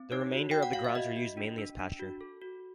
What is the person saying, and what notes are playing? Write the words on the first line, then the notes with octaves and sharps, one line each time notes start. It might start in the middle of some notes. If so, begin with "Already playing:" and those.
The remainder of the grounds are used mainly as pasture.
Already playing: C4
D#4 C#5
F#4
F#4 G5
F#5
F#4 F5
E5
F#4 D#5
F#4
D4
D4
D4
F#4
A4
F#4